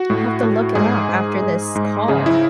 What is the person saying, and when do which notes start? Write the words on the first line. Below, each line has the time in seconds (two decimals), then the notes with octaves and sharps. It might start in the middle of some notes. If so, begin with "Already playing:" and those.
I have to look it up after this call.
Already playing: F#4
0.10 A2
0.43 A2
0.75 G#2 G#4
1.09 G#2
1.42 G#2
1.75 G#2
2.08 C#3 G#4
2.26 E4